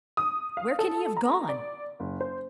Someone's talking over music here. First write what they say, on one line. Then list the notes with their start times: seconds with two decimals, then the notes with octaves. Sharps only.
Where can he have gone?
0.17 D#6
0.57 F5
0.79 A4
1.17 A#5
1.49 D5
2.00 F#1
2.21 C5